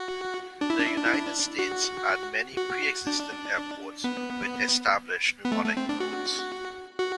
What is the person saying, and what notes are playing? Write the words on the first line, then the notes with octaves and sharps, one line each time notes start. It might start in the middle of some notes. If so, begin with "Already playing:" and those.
The United States had many pre-existing airports with established mnemonic codes.
Already playing: F#4
D4
E4
D4
E4
D4
E4
D4
F#4
F#4
D4
B3
B3
A3
A3
C4
D4
F#4
F#4